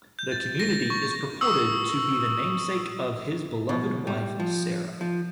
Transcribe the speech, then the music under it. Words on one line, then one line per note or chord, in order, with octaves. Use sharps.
The community is purported to be the namesake of his beloved wife, Sara.
G6
A6
A#6
C#6
C#6 D#6 E6
B2
G3
F3
F3